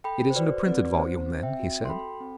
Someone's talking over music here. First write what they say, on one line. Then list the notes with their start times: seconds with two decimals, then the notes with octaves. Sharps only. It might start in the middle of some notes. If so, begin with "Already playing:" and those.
"It isn't a printed volume, then?" he said.
0.04 A4 G5 B5
0.30 C5
0.35 F#4 B4 D5
0.66 C4 B4 D5
0.97 C4 C5
1.28 C4
1.43 E5 G5
1.59 F#4
1.85 C6
1.89 A4 G5 B5
2.20 C4